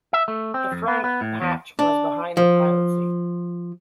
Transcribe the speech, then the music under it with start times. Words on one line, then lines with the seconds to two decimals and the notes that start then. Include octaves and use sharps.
The front hatch was behind the pilot's seat.
0.13 E5
0.28 A3
0.54 C4
0.72 F2
0.88 B3
1.04 B3
1.21 A2
1.42 E2
1.79 D4
2.37 F3